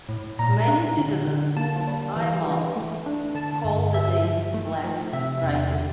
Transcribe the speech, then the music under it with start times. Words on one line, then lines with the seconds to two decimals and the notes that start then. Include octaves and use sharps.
Many citizens of Eyemouth call the day Black Friday.
0.09 A2
0.39 A#2 A#5
0.68 D4
0.98 D3
1.27 D3
1.57 A#3 A5
1.87 G3
2.16 E3
2.47 E3
2.76 A3
3.06 D4
3.35 D3 A5
3.64 G2
3.94 G2 E5
4.24 F3
4.54 A3
4.84 F3
5.13 C3 E5
5.43 E2
5.72 D3